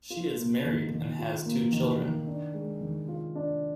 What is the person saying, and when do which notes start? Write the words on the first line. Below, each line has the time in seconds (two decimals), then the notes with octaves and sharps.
She is married and has two children.
0.10 F4
0.37 A#3
0.65 D#3
0.91 D#3
1.19 F4
1.46 A#3
1.73 D#3
2.00 D#3
2.27 D4
2.54 G#3
2.81 D#3
3.08 F4
3.35 D4